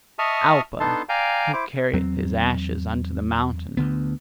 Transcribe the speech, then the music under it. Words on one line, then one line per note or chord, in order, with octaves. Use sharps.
Alpa! who carrieth his ashes unto the mountain?
D#5 E5 A5 C#6 D#6 F6
B3 D4 D#4 A4 A5 C6
D5 F5 G5 G#5 A#5
E4 C5 D6
E2 F#3 C4
D2 D3 B3